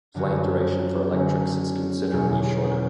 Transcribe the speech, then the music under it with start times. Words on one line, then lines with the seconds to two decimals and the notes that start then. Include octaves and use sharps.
Flight duration for electrics is considerably shorter.
0.15 F#2 D3 F#3 C#4 F#4
1.13 D3 F#3 C#4
2.12 E2 B2 F#3 C#4